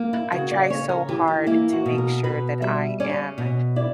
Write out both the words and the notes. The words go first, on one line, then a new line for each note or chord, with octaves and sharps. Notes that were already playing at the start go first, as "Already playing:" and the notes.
I try so hard to make sure that I am
Already playing: A#3
E4
C#3 F#4
D5
C#4 C#5
A#4
E3 G4
G4
A#3 E4
F#4
B2
A#4
B2 B4
G3 E5
C#4 D5
B2
E4 D5